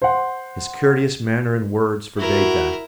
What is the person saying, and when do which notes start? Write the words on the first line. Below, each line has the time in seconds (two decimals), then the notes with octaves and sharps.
His courteous manner and words forbade that.
0.02 C5 F#5
2.18 E4 F#4 A#4